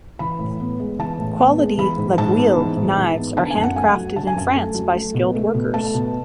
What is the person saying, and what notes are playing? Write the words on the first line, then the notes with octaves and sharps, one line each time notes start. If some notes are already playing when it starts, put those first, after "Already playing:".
Quality "laguiole" knives are handcrafted in France by skilled workers.
E3 B5
A2
B3
G#3
E3 A5
A2
B3
G#3
E3 B5
G#2
G#2 A5
B3
E3
G#2
G#2
B3
D3 A5
G#5
F#2
F#5
A3 G#5
F#3
D3 A5
G#5
F#2 A5
A3
F#3
A3
B2
A3
B2
A3 A5
B2